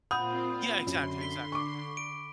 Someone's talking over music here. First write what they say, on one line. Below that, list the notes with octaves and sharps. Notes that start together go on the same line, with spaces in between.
Yeah, exactly, exactly.
A#2 C4 F4 F#5 B5 D#6 G6
F#2 D3 C6
B6 G7
C#6 D6
D7